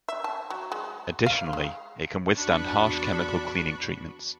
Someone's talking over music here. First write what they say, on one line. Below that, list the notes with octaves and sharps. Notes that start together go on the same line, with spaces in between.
Additionally, it can withstand harsh chemical cleaning treatments.
E5
A5
F#3
G#3
F5
G#3
E2 B3 D4 F#4 B5 C#6